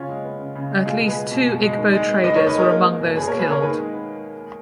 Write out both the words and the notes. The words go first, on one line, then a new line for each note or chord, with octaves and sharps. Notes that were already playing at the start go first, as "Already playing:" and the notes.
At least two Igbo traders were among those killed.
Already playing: C#3 C#4 F4
G#3
B3
C#3
C#3
G#3
B2 F4 G#4
G#3
G#4 B4
B3
B2
B2
G#3
D#3
G#3
B3
D#3 B4 D#5
A#4 C#5
D#3
B4 D#5
G#3 A#4 C#5
A#3
A#3
B2
B2 G#4 B4
A#4 C#5
A#3
G#4 B4
A#3 A#4 C#5
D#3 G#4 B4
G#3
B3